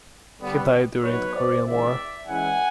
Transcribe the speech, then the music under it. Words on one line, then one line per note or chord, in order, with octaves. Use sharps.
He died during the Korean War.
D3 G3 B3
F#3 B3 D#4 B4 C#5
C5 D5
C#3 E3 G#3 C4 D5 E5
E3 G#3 C#4 E4 F#5 G#5